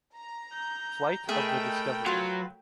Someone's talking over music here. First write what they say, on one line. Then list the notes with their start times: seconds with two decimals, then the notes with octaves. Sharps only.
Flight of the Discovery.
0.15 A#5
0.53 G6
1.29 A3 G#4 A#4 D#5 E5 G5 B5
2.06 F#3 F4 B4